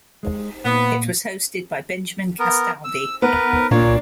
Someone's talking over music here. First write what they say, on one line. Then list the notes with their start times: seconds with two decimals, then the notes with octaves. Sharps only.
It was hosted by Benjamin Castaldi.
0.23 G#3
0.65 A#2 B3
2.39 B3 A#4
2.84 E6
3.22 B3 A#4 B4
3.71 A#2 A#3 D4 C#5